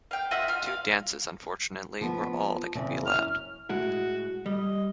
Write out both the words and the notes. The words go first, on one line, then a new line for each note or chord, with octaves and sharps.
Two dances, unfortunately, were all that could be allowed.
F5 G5
F4 D#5 E5 F#5
F4 F6
F5
F3 B3
E2 C#3 C4
F#2 F6
A2 G#3 E4 F#4
G3 D#5